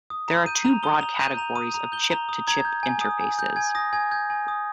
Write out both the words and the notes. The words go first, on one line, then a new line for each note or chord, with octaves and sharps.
There are two broad categories of chip-to-chip interfaces.
D#6
A#5
G6 D#7
A#5 F7
D#6 G7
A#5 F7
G6 D#7
A#5 F7
D#6 D#7
A#5 F7
G6 G7
A#5 F7
D#6
A#5 G#6
G6
G#5
D#6
G#5
G6
G#5 G#6
D#6 A#6
G#5 G#6
G6 G#6
G#5
D#6